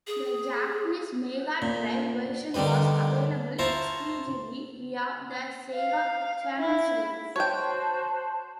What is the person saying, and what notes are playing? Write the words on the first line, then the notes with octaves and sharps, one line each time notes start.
The Japanese Mega Drive version was available exclusively via the Sega Channel service.
G#4
A#2
D3 D#3 G3 G4 B4
E4 F4 C5 A5 A#5 C#6
F5
E4
F#4 C5 C#5 G5 A5